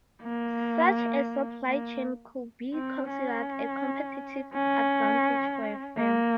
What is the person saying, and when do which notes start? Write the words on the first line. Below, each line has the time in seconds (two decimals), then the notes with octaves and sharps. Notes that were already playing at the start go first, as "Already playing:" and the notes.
Such a supply chain could be considered a competitive advantage for a firm.
0.23 A#3
1.67 A#3
2.74 C4
3.10 C#4
4.54 C#4
5.98 A#3